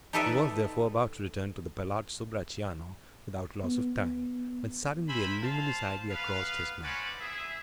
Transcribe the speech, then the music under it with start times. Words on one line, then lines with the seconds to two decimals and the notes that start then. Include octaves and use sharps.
He was, therefore, about to return to the Palazzo Bracciano without loss of time, when suddenly a luminous idea crossed his mind.
0.13 D#4 G4 A4 B4 D5 E5
3.64 B3
5.09 A#4 C5 E5 G#5 B5
5.41 C5 F5 A5
6.10 B3 B4 F5
6.83 G#3 C#4 B4 C5 D5 F#5
7.20 G#4 E5